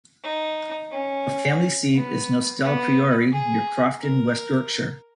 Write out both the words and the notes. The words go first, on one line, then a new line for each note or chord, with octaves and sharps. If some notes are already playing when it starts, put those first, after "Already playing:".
The family seat is Nostell Priory, near Crofton, West Yorkshire.
D#4
C#4
B3
B3
G#4
A#4